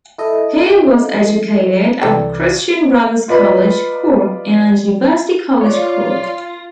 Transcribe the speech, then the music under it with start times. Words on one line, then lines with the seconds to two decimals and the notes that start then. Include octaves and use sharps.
He was educated at Christian Brothers College, Cork, and University College Cork.
0.18 E4 A4 D#5
2.01 C2 E3 A4 D5 G5
3.28 F4 B4 D5 D#5 B5
5.61 F4 C#5 D5